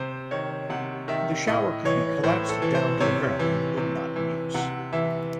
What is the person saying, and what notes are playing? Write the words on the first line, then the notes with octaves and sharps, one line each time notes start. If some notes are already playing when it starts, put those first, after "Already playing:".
The shower could be collapsed down to the ground when not in use.
Already playing: C3 C5
D#3 C#5
C3 F#5
D#3 E5
A2 D#5
E3 C#5
A2 C5
A4
E3
C5
C3 C#5
E3
C3
E3
C3 F#5
E3 E5